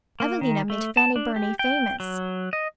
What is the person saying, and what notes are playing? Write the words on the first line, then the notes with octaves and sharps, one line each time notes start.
"Evelina" made Fanny Burney famous.
A#3
D#3
A3
A5
D4
G4
G5
F#3
D#5